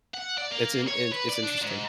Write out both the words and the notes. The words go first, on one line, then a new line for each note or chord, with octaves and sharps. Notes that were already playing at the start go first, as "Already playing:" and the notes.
It's an int it's interesting.
F#5
D5
A#3
C#5
B4
D5
D4
G#2